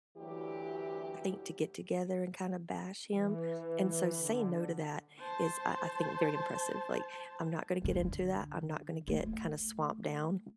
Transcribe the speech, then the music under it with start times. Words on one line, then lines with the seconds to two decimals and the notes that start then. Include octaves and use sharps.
think, to get together and kind of bash him, and so saying no to that is, I I think very impressive, like, "I'm not gonna get into that, I'm not gonna get kinda swamped down
0.17 D2 E3 F#3 G4
3.12 E3
4.16 D3
5.19 C5 A5
7.84 D3
9.08 A3